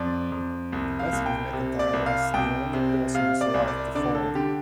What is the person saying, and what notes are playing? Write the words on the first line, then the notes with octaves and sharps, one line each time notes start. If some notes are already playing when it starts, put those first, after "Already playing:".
Wesley MacIntire was the only person who survived the fall.
Already playing: F2 D5
F2
C2
F5
C2
G5
C3
D5
C2
F5
C2 G5
C3
C3 F5
D5
C2
D5
D3 D5
A4
D3 G4